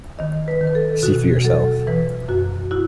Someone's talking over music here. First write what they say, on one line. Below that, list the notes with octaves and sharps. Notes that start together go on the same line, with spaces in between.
See for yourself.
D#3 D#5
B4
D#3
B4
A4
B2 F#4
F#3 A4
E3 B4
F#2 F#4
E4 F#4